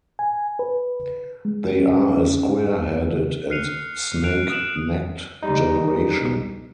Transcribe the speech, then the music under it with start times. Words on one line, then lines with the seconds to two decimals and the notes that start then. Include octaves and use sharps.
They are a square-headed and snake-necked generation.
0.19 G#5
0.59 B4
1.45 G#3
1.72 C#4
3.50 F6 F#6 C7 C#7 D#7 F7
4.24 F#6 D7 F7
4.50 D#6 F#6 D7 E7 F#7
5.43 G3 D#4